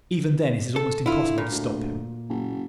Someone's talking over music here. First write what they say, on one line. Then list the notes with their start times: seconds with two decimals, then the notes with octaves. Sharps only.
Even then it is almost impossible to stop him.
0.76 A4
1.06 D3 E4 F4
1.38 A#2
1.51 D2
2.29 F#1